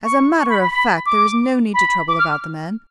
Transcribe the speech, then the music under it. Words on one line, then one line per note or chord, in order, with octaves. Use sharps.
As a matter of fact, there is no need to trouble about the man.
C#6
C#6
B5
B5
B5
D6
B5
D6
F6